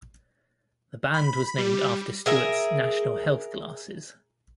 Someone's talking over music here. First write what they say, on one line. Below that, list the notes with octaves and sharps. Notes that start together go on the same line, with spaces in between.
The band was named after Stewart's National Health glasses.
B5
G3
G#4 A#4 E5